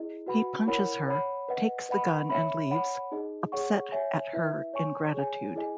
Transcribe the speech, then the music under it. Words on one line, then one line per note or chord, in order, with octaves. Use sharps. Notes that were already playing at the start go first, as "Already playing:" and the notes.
He punches her, takes the gun and leaves - upset at her ingratitude.
Already playing: E4 G#4 D#5
F#4 B4 F#5 B5
E4 A#4 C#5 F#5 B5
C#5 F#5 B5
B4 D#5 F#5
B4 D#5 F#5 B5
C#5 E5 B5
C#5 F#5 B5
D#4 G#4 D#5
G#4 C#5 F#5 C#6
C#5 E5 G#5
E4 B4 E5
C#5 G#5 C#6
G#4 C#5 G#5
E4 G#4 D#5 G#5